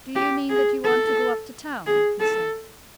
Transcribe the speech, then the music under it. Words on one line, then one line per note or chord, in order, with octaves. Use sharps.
"Do you mean that you want to go up to town?" he said.
G4
G#4
A4
G#4
A4